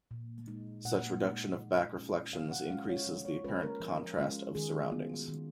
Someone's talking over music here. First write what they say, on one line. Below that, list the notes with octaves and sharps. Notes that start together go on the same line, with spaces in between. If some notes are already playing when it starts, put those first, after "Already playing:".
Such reduction of back reflections increases the apparent contrast of surroundings.
A#2
G#3 D#4
A#2 F#5
G#3 D#4
F3
G#3 C#4 F4
F3 F5
F#5
G#3 C#4 F4 F5
C#5
F3
C#5
G#3 C#4 F4 B4
A#4
F3
G#3 C#4 F4
D#3 G#4
F#3 B3 F4
D#3